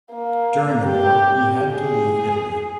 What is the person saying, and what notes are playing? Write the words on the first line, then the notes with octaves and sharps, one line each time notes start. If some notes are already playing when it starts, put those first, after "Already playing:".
During the war, he had to leave Italy.
A#3
G4
G#4